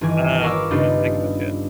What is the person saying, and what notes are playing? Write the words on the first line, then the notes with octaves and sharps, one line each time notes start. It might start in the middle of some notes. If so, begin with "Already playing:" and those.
Ah, yeah, I gotcha.
G1 D#3 E3 G#5 G#6
A#4 B4 C#5 F5 D6 E6
G2 C#3 B3 D4 D#4 F4